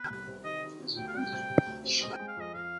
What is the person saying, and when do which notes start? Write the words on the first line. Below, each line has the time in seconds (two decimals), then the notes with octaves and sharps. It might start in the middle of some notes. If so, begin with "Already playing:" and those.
Scott initially committed to play college baseball at Arizona.
Already playing: B3 B4
0.10 C2
0.27 C3
0.44 D#3 D#5
0.62 D#3
0.79 B3
0.97 D2 G5
1.08 F5
1.14 G3 G5
1.32 C3
1.50 C3
1.67 D2
1.84 C4
2.01 G#3 D#5
2.15 G5
2.19 G#3
2.28 F5
2.37 F2 D#5
2.54 F2 F5